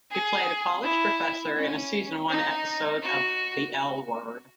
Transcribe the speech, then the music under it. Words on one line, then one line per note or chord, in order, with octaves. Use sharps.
He played a college professor in a Season One episode of "The L Word".
G#4
E4
C#4
D#4
F#4